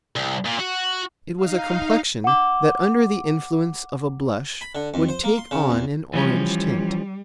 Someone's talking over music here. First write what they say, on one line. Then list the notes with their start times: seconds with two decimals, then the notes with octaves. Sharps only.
It was a complexion, that under the influence of a blush would take on an orange tint.
0.16 C2
0.45 A#2
0.60 F#4
1.37 D#4 F5
2.24 F#5 D6
4.61 B5
4.75 D3
4.94 F2
5.09 C5
5.24 A#3
5.38 C6
5.51 C#3
5.71 E2
6.13 E3 F3 G3 C#4